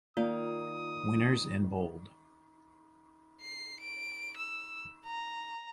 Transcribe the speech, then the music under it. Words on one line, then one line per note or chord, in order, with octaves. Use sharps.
Winners in Bold.
D#3 A#3 F4 D5 F5 D#6
C7
D7
E6
A#5